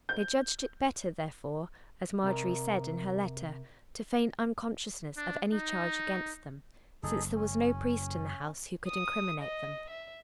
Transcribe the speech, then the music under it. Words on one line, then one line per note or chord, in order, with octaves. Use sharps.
They judged it better, therefore, as Marjorie said in her letter, to feign unconsciousness of any charge against them, since there was no priest in the house who could incriminate them.
G6
C3 A#4
D4
D#4
F#1 D#4 G#4 A4
C#4
D#6
D#5
E5